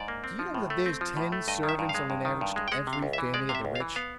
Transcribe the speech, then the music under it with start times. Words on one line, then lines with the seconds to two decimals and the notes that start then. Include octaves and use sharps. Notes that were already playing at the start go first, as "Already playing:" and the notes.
Do you know that there's ten servants, on an average, to every family of the rich?
Already playing: G#2 D5
0.08 A#3
0.24 C4
0.39 F3
0.54 A2
0.70 A3
0.86 C4
1.01 F3
1.17 A2
1.32 A3
1.48 G2 D#5
1.63 D#3
1.69 E5
1.79 G2
1.89 F5
1.94 G#3
2.10 G2
2.25 D#3
2.41 G2
2.56 G#3
2.68 G5
2.72 G#3 F#5
2.87 C3
2.93 F5
3.03 C#2
3.13 E5
3.18 E3
3.34 G#3 D5
3.49 C3 F5
3.55 E5
3.65 C#2
3.75 F5
3.80 E3
3.96 B3 F5